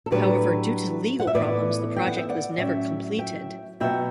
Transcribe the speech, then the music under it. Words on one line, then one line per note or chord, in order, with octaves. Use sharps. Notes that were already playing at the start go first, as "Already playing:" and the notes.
However, due to legal problems the project was never completed.
A4
A2 F#3 A3 D4 G4 B4
F#5
E5
A2 E3 B3 B4 D5
G5
F#5
E5
D5 F#5
A2 F#3 C#4 E5 G5
E5 G5
B2 F#3 B3 E5 G5